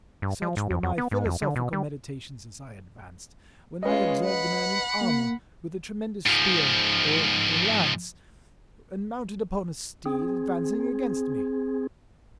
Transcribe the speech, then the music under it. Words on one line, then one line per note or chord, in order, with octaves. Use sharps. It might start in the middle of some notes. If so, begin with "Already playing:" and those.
Such were my philosophical meditations as I advanced, when I observed a man in armour with a tremendous spear or lance, and mounted upon a steed, advancing against me.
G2
F3
G#2
F2
F2
B3
G#2
F2
D3
B2
G3
G#3 C#4 F4 B4 D#5
F#5 B5
A#3
G#2 F3
C4 G#4